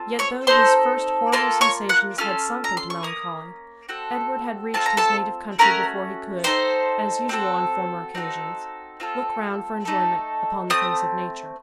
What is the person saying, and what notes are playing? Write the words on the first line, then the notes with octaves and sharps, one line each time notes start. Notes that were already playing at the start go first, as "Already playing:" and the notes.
Yet, though his first horrible sensations had sunk into melancholy, Edward had reached his native country before he could, as usual on former occasions, look round for enjoyment upon the face of nature.
Already playing: C4 F4 A4
C#5 C#6
C4 D#4 A4 C5 C6
A#3 F4 A4 C5 C6
C#5 C#6
F#5 F#6
C#4 F4 A4 F5 F6
A#5
C6
C#6
A#3 C#4 D#6
C4 F#4 A4
C4 F4 A4 A5
A#5
A4 A5
A3 C#4 F#4 A#4 A#5
C4 D#4 A4 C5 C6
C4 F#4 A4
C4 D#4 F#4 A4
C4 F4 A4
A3 D#4 A4
A3 C4 D#6